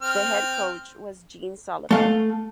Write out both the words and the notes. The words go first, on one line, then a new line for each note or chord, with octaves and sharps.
The head coach was Gene Sullivan.
C4 F6
A3 F5